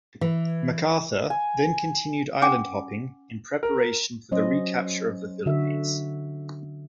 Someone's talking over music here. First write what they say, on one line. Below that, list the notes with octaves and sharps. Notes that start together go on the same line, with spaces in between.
MacArthur then continued island hopping in preparation for the re-capture of the Philippines.
E3
G#5
C#4 F#5 G#5 D6
A#4
F#3 C#4 C5 D#5
D3 F#4 E5